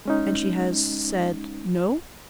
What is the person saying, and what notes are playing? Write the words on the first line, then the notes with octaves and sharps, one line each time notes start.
"And she has said No?"
G#3 C#4 D#4